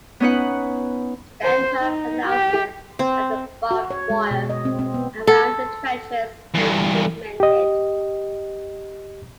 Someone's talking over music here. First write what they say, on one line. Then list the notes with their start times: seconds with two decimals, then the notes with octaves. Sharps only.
Stanhope announces that the barbed wire around the trenches needs to be mended.
0.20 B3 C#4 D#4 B4 F#5
1.43 C5
1.81 D#4
2.28 G4
2.99 C4
3.71 F#4
3.91 C#5
4.10 G#3
4.31 B2
4.50 D#5
4.65 C4
4.79 C4
4.94 B3
5.27 A4
6.55 E2 G2
7.40 G4 D#5